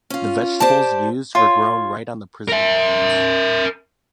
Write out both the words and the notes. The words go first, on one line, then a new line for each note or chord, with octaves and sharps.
The vegetables used were grown right on the prison grounds.
C#4 F4
G4 C5 D5 A5
F4 C#5
A#4 E5